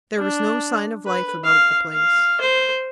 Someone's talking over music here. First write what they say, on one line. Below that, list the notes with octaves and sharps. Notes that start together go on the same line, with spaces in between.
There was no sign of life about the place.
D4
B4
F5
F5
C5